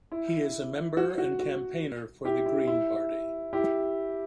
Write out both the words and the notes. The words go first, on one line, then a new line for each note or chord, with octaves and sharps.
He is a member and campaigner for The Green Party.
E4
F#4
F#4
F#4
E4 G4
E4
E4
E4 G4